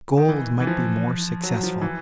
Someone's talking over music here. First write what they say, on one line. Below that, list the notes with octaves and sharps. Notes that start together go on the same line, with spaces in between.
Gold might be more successful.
D#3
E3
E3
F3
F#3
F3
E3